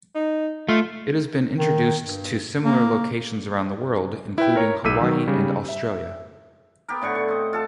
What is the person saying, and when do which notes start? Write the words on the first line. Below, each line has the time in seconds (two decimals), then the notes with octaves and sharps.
It has been introduced to similar locations around the world, including Hawaii and Australia.
0.15 D#4
0.69 A3 F4
1.58 D#3
2.02 G2
2.64 A#3
4.38 E4 B4 G5
4.56 A#4 C#5 A#5
4.84 B1 D6 E6 B6 D#7
5.01 D#3 F#3
5.27 C#3 G3
5.69 E5
6.88 B3 G4 A#4
7.02 A2 D3 F#5 C#6
7.15 C#6
7.28 C4 D#5
7.53 F4 A4 A5